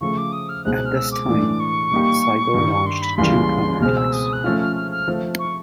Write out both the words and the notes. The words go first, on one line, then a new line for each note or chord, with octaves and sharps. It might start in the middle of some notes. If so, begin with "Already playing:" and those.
At this time, Sigel launched two counterattacks.
C#3 F3 A3 C#6
D6
D#6
F6
C#2 B2 G#3 C4 D#4 F#6
F#6
F6
E6
D6
A2 E3 A3 D4
C#6
A#2 G3 A#3 D#4 G4
G2 D#3 G3
C6
B5
C#2 C#3 E3 G3 A#3 C6
C#2 B2 G#3 C4 F6
E6
D#6
F#6
F3 A3 C#4 F4 F6
F6
F6
F6
F3 A3 C4
C#6